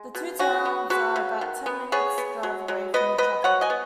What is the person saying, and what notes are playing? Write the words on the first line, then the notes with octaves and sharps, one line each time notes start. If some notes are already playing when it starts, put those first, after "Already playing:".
The two towns are about ten minutes' drive away from each other.
Already playing: G#3
B2
C#3 C#4 F#4
B3
G#3 F#4 B4
C#3
D#3
B3
B3 G#4 C#5
B3
F#3
F#3
B3 B4 D#5
B3 B4 D#5
B2 C#5 F#5
D#5 G#5
B3